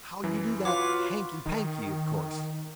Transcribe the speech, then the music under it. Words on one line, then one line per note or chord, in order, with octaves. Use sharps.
"How you do that hanky-panky, of course."
F#2 E3
F4 F#4 B4 C#5 F5 C6 D6
D#3